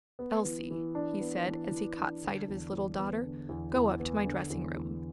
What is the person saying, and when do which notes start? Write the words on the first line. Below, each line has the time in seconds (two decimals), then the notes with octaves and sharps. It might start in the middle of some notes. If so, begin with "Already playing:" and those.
"Elsie," he said, as he caught sight of his little daughter, "go up to my dressing-room."
0.19 B3
0.44 E3
0.71 E3
0.95 D4
1.21 B3
1.47 E3
1.71 E3
1.97 D4
2.22 D3
2.48 E2
2.73 E2
2.99 B3
3.24 D3
3.49 E2
3.75 E2
4.00 B3
4.26 D3
4.50 E2
4.76 E2